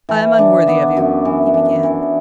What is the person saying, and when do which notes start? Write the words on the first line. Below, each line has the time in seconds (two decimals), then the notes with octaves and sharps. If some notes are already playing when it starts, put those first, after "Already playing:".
"I am unworthy of you," he began.
0.09 E3
0.39 D4
0.67 B3
0.97 F#2
1.25 E3
1.54 D4
1.83 E3